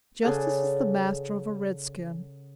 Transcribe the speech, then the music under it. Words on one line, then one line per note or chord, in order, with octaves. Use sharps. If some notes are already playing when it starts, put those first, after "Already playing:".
Justice is the master of a red-skin.
C#3 G#4 A4 D5 F#5